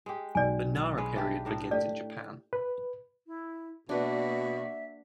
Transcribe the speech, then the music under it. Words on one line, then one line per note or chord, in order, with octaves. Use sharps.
The Nara period begins in Japan.
G#3 G4
B1 D5 G#5
G#3 C#4 B4
D4 G4 E5
A2 D4 A#4
A3 G4 D5
B4
E4
B2 A#3 D4 F#4 B4 D5 E5